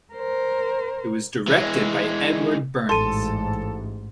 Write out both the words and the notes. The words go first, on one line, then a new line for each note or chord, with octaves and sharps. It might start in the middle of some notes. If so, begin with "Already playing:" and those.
It was directed by Edward Bernds.
A#4 C5
E3 G#3
A1 G#2 A4 C6 D#7